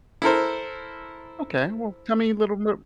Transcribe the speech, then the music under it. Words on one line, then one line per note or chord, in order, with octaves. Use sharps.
Okay. Well, tell me a little bit
E4 A4 A#4 C5